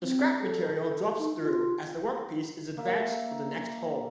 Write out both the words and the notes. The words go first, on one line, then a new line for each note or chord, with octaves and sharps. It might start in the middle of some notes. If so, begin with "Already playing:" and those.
The scrap material drops through as the workpiece is advanced for the next hole.
C4
A4
D#4
F4
A#3 E5